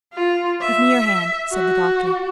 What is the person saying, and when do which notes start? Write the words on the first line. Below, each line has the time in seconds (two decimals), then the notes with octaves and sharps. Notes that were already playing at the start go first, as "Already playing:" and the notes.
"Give me your hand," said the doctor.
0.13 F4
0.62 E5
1.52 F#4